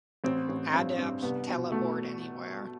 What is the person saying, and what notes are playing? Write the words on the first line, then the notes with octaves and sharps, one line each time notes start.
Adepts teleport anywhere.
A1 C4
A1
G2 C4
G2 C4
C2 B3
B2
B2 A3